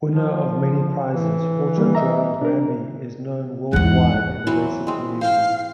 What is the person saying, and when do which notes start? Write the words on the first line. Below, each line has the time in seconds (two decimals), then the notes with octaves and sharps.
Winner of many prizes Autodrome Granby is known worldwide in the racing community.
0.11 F3
1.10 E3
1.78 G3 A#3
1.95 D#5 E5 A#5
2.41 D4 A#4
3.73 E2 G#2 E3 F#5
4.47 E3 F#3 C4
4.87 G#3 C4
5.21 C5 F5 G5